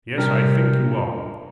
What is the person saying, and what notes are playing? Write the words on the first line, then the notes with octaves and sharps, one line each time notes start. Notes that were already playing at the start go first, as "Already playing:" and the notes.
'Yes, I think you are.
C3 G3 D4 G4 A#4